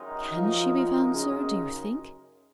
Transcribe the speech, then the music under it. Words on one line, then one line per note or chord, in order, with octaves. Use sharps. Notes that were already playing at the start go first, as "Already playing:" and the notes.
"Can she be found, sir, do you think?"
Already playing: F#2 D#3 G#3 D#4 A#4
F3
C#3